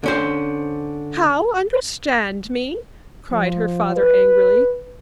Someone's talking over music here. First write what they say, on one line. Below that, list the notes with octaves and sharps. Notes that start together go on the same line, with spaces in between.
"How understand me!" cried her father angrily.
D3 C#4 C5
F3
B4